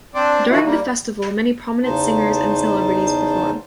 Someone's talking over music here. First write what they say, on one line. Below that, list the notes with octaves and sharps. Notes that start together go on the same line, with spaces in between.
During the festival, many prominent singers and celebrities perform.
C4 D4 C5 D5
D#3 F3 E4 F#4
G3 A#3
E2 C#3 D#4 C5 A5